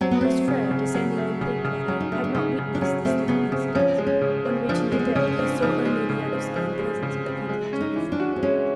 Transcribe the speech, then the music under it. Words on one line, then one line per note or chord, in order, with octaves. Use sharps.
Maurice Frere, descending the poop ladder, had not witnessed this little incident; on reaching the deck, he saw only the unexplained presence of the convict uniform.
F#3 C4
B3
A3 C4
C#3
C#3
F#3
A3
C#3
C#3
F#3 C#4
D#4
A3 D4
D4
C#3 D#4
C#3
D4
F#3 C#4
A3 C4
C#3 B3
C#3 C4
F3 C#4
G#3
C#4
C#3
C4
F3 D4
G#3 C4
B3
C4
C#3 C#4
C#4
C4 D4
F3 D#4
G#3
C#3
C4
F3
G#3
C#3
C4
G#3
C#4
D#4
E3
D4
F#4
C4
G#3 C#4